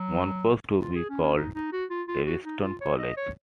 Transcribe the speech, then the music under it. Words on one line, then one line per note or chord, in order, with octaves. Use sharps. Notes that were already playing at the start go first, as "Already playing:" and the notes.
Moncus to be called Daviston College.
Already playing: F#3
F4
G#4
C#4
C#4
D#4
D#4
F#4
F4
F4
F#4
D#4
F4
C#5
D#5
C#5